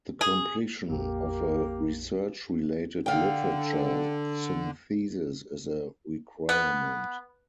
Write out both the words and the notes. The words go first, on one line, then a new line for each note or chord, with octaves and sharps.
The completion of a research-related literature synthesis is a requirement.
G#4
A#1 F2 A#3 G4
D3 F5 G5
B3